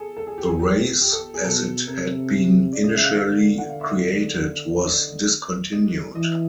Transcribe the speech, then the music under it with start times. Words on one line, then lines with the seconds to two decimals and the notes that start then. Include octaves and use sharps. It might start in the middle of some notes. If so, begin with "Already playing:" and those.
The race, as it had been initially created, was discontinued.
Already playing: G#4 A4
0.17 A4
0.27 G#4
0.38 G4
0.48 G#4
0.59 G4
1.01 G4
1.13 A4
1.34 G#4
1.45 B2 A4
1.87 C3 A#4
2.73 C#3 D5
2.84 D#5
2.94 E5
3.05 F5
3.16 D3 F5
3.58 F#5
3.69 F5
3.80 E5
3.91 D#5
4.87 D3 D#5
5.73 D#5
6.15 E3 D#5